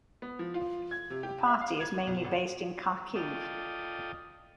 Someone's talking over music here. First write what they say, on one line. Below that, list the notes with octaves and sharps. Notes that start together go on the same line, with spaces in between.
The party is mainly based in Kharkiv.
B3
F3
F4
G#6
C3
G4
E5
F5
G#6
B1
G#1
F4 A4 D5 D#5 G5 D#6